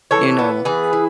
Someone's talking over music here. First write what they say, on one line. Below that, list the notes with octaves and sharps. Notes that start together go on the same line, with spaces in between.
you know,
E3 A4 C#5
B3
E3 G#4 B4
E4